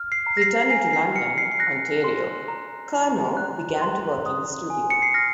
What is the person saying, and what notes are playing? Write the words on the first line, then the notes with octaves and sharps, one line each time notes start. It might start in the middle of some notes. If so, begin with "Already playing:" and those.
Returning to London, Ontario, Curnoe began to work in the studio.
Already playing: F6
C7
A#5
A#6
C7
G#5 C7
C7
F6 C#7
C7
C7
F#6 A#6
C6
A#5
A#5
F#6
C6
D#6
G#5
C#7
C7
F6 A#6